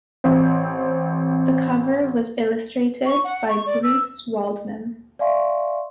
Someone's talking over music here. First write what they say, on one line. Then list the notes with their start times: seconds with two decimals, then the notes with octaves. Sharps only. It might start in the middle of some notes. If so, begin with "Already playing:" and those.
The cover was illustrated by Bruce Waldman.
0.24 A1 C4
3.06 C#6
3.24 F#5
3.49 C#6
3.66 D5
3.83 E6
5.19 D5 E5 F5 G#5 C6 C#6